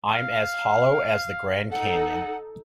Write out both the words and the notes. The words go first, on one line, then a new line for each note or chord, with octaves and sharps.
I'm as hollow as the Grand Canyon.
F5
D#4 A4 F#5